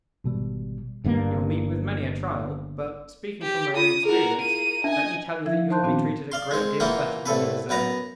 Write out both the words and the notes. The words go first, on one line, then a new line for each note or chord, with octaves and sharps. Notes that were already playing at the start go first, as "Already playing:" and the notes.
You will meet with many a trial; but, speaking from my own experience, let me tell you that you will be treated a great deal better than you deserve.
G#1 B2 G3
G1 G2 D3 A#3
G4
F4 D#6
E4 F#4 G#4 A#4
A#3 D#7
C#4 D4 D#5 E5 G#5
F3 E4 E5 G#6
C5 F5 A5 C6 F#6 G6
A#2 D#3 B3 C4 D4 F#4
D5 F5 C6
G#3 C4
E3 A#3 F4 F#5 G5
C2 A2 A4 B4
F#2 B3 B4 A#5